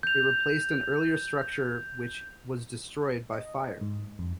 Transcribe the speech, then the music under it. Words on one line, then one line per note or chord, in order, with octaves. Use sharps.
It replaced an earlier structure which was destroyed by fire.
G6 F7
D#5
G#2
F2